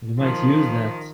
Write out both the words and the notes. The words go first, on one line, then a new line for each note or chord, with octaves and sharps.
You might use that.
D#3 F3